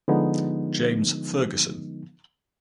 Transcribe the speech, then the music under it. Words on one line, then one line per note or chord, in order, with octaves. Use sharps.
James Fergusson.
D3 F3 G#3 B3 D#4